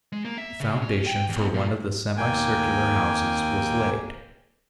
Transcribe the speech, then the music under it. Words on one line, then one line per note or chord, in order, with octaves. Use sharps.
The foundation for one of the semi-circular houses was laid.
G#3
A#3
E5
C#3
C#4
G5
E2
A#2
D#2 A#3 G5 G#5